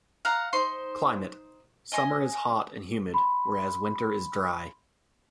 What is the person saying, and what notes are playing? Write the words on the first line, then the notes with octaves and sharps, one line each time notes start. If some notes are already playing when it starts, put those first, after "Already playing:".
Climate: Summer is hot and humid whereas winter is dry.
F5 F#5 A#5
D#4 C5 C6
D#5 G#5 C6 D#6
B5 C6